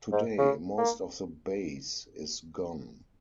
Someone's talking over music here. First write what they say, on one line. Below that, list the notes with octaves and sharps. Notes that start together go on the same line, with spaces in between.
Today, most of the base is gone.
G#2
C#3
A#3